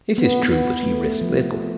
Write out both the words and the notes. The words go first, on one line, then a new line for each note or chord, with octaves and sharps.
It is true that he risked little.
B3
B3
A3
F3